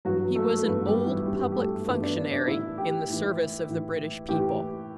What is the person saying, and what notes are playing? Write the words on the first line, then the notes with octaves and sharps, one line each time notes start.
He was an "Old Public Functionary" in the service of the British people.
G2 E3 F#3 F#4
A3 A4
A4
G2 E3 B3 B4
F#4
G3 G4
E3 E4
G2 E3 G3 G4
G4
A3 A4
G2 E3 B3 B4
D4 D5
D4 D5
D4 D5
A2 E3 E4 E5
G4 G5
A2 E3
A2 E3
A2 E3 G4 G5